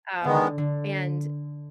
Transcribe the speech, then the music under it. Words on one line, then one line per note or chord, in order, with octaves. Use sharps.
um and
D3 D#3 G#3 B3
D3